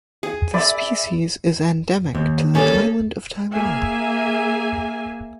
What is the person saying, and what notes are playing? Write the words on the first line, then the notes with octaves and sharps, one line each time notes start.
The species is endemic to the island of Taiwan.
G#4
D5 E5 B5
D#2
G3 A#3 C#4 G#4 A4 C#5
A#3 G#4 E5 G#5